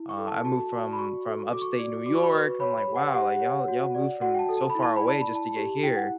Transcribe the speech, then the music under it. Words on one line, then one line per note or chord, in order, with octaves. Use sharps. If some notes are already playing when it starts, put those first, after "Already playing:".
uh, I moved from from Upstate New York." I'm like, "Wow, like, y'all y'all moved from so far away just to get here."
Already playing: E4
C#6
A4
A5
F#4 A5
D5
B5
F#4 C#6
A4
F#4 D6
C#6
D6
D5
F#4 D6
C#6
B5
B4 C#6
C#5 B5
B5
G4
F#5
G4 F#5
C#5
F#4
D5
F#4 F#5
G5
A5
A4
A5
B5
E4
A5
B5
D5
A5
B5
E4
A5
G4
E4 G5
F#5